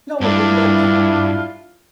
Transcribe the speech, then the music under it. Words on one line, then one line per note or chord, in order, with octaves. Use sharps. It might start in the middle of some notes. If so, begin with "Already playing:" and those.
No one would let you!...
G2 D4 E4 F4